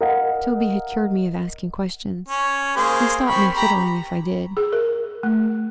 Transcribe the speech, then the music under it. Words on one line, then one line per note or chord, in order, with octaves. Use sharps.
Toby had cured me of asking questions. He stopped my fiddling if I did.
A#4 D#5 F5 F#5
C#4
A#3 G#4 C5
C4 B5 C#6
G4 A#5 B5
G#4
A#4
A3